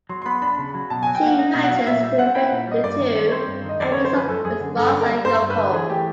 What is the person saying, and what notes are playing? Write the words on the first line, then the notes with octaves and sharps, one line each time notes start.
She manages to evade the two and meets up with Ross and Yoko.
F#3 C6
C6
B3 B5
D4 B5
C#3
F#3
B2 A5
G#5
F#3
G5
A#3 F#5
D#4
B2
F#5
F#3 F5
A#2 E5
G3 E5
C4 F#5
E4 G5
F#5
A#2
G3 D#5
G2 D5
D#3
G3
C#5
C4 C5
G2
D#3 D#5
F#2 D5
C#5
D3
C5
F3 B4
F#2 A4
F#2 G#4
D3
G2 A4
D3
A#4
G3
G2 C5
G2
B4
D3
E3 G#4
A3 G4